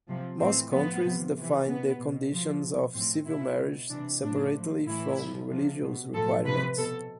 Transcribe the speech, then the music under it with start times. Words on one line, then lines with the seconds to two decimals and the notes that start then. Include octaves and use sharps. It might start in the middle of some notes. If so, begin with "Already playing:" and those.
Most countries define the conditions of civil marriage separately from religious requirements.
0.09 C3 F3
0.40 A2 E3 C4
0.71 A2 F3 B3
1.04 C3 F3
1.36 C3 E3
1.67 B2 B3
1.99 B2
2.31 B2 F3
2.63 B2
2.94 A2 F3 C4
3.26 B2 E4
3.58 B2
3.90 C3 E3 D4
4.23 A2 F3 D4
4.54 A2 F3
4.86 A2 E3 E4
5.18 C3 F3
5.49 C3 F3
5.82 B2
6.14 A2 F3 A4
6.45 C3 F3 B4
6.77 B2 A4